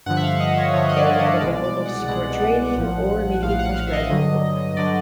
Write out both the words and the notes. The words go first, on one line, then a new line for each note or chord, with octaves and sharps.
They are not available to support training or immediate postgraduate work.
G2 D3 F3 F#5
E5
F5
D#5
C#5
G2 D3 F3 C#5
D#5
D5
D#5
C2 B2 G#3 D5
D5
F#5
C2 B2 G#3 F#5
A#1 A2 F3
A#1 A2 F3 F5
F#5
F5
E5
D#5
G2 D3 F#3
D3 F#3 D5